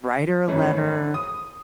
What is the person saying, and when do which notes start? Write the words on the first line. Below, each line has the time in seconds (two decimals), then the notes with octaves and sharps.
write her a letter,
0.48 G#1 F#2 E3 A3 C#4
1.14 D#6